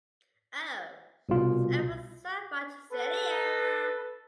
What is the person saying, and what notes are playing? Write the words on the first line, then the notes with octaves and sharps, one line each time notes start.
Oh, it's ever so much sillier.
C2 B2 F4
A4 B4